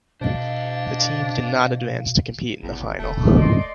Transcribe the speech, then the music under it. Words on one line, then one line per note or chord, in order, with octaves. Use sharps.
The team did not advance to compete in the final.
B2 D4 C5 D#5 F5
A1 E2
E1 A3
D5 D#5 C6